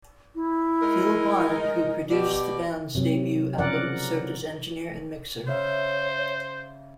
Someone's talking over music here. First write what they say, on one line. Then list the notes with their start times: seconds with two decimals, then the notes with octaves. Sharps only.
Phil Bonnet, who produced the band's debut album, served as engineer and mixer.
0.35 E4
0.81 G#3 D#4 A#4
1.61 D#5
2.11 B2 G4 D5
2.95 C3 F#3
3.58 C#3 F3 A#4 D5 F#5
5.47 C#3 C5 C#5 E5 F5